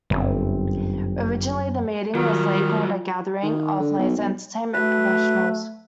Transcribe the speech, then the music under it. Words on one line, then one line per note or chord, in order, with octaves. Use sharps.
Originally, the meeting was labeled a gathering of Laser Entertainment Professionals.
G1 F#2 C4
D#3 F#3 G3 F4
D#3
D3
B1
B1
A3 F#4 B4